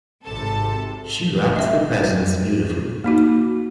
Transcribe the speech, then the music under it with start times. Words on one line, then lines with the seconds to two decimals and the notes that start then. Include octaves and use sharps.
She wrapped the presents beautifully.
0.24 G#1 C3 A4 A5
1.56 D#5 E5
3.04 A#3 D#4 F#4